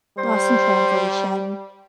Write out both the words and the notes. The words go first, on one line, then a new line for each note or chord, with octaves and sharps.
Lost In Translation.
G3 C5